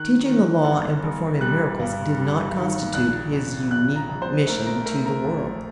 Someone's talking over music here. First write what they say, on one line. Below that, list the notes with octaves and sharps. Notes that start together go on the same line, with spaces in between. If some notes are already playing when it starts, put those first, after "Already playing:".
Teaching the Law and performing miracles did not constitute His unique mission to the world.
Already playing: D#3 F#6
D#3
G1
G1
G3 F#6
G2
G3
D#3
A#1 F#6
A#1
A#1 F#6
A#5
A#1
C5
A3 A#4
A#4
A3 A#4
A#4
A#1